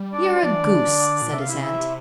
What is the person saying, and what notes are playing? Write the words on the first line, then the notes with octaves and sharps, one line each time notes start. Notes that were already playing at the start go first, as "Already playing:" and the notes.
"You're a goose!" said his aunt.
Already playing: G3
D4 D5
C5
F3 D4 D5
E3
D3
E3
D3
A#2
C3 E5
F5
E4 E5
E4 E5